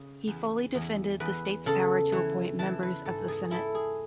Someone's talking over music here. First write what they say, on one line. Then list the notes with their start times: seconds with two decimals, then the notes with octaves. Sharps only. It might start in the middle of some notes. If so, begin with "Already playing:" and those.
He fully defended the state's' power to appoint members of the senate.
Already playing: C#3
0.27 E2
0.75 E2
1.20 E2 B4
1.66 C#3 A4
2.12 E3 C#5
2.59 E3 A5
2.83 B4
3.05 G#2 A4
3.28 G#4
3.51 E4 A4
3.75 G#4